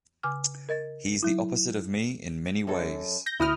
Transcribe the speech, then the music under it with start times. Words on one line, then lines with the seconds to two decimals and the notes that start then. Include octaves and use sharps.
He's the opposite of me in many ways.
0.23 C#3 G#5 D6 F6
0.69 A#4 D#5 A6
1.23 F#3 E4
2.67 F#2 A4
3.26 G6 A#6
3.40 D2 E4 D#6 F6